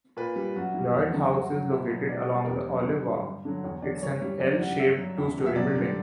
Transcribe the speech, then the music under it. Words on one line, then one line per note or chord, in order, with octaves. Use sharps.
Lloyd House is located along the Olive Walk, and is an "L"-shaped, two-story building.
A#2 B4
G3
F#2 F#4
E3 G3
E2
D3 F#3
G2 F#4
F#3
B2 E4
F#3
B2 D5
G3 B4
A#4
E2 G4
C#3 F#3
F#2
D3 G3
G2
D3 F#3
E2 C#5
D3 F#3 D5
G2 C#5
E3 G3
F#2 D5
C#3 G3 F#5
G2 E5
F#3
E2
B2 G3
E5
F#2 D5
D3 G3 G4